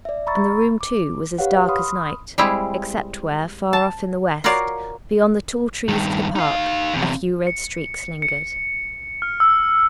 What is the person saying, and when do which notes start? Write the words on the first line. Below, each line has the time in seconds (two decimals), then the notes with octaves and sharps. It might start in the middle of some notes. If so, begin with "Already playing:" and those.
And the room, too, was as dark as night, except where far off in the west, beyond the tall trees of the park, a few red streaks lingered.
0.05 D5 E5
0.27 A#5 B5 C#6 E6 A6
0.81 D6
1.38 G4 B4 C#5 F5 F#5
1.69 B5 C6 D#6 F6
2.38 G3 G#3 C4 E4 G#4
3.73 A5
4.44 F4 F#4 A#4 C#5 D5 F5
5.88 G2 D#3
6.36 D#4 F5
6.94 E2 C3
7.47 C#7
8.22 C#7
9.22 F6
9.40 E6